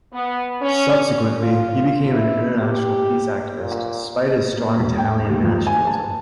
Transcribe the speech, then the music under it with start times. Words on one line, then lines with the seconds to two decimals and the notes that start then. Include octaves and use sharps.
Subsequently, he became an international peace activist, despite his strong Italian nationalism.
0.13 B3
0.61 C#4
1.43 F4
2.12 E4
2.61 G4
3.59 A#2
4.57 A#3
4.77 E1
4.98 G5
5.30 D#2
5.44 F2
5.67 G#5
5.87 A5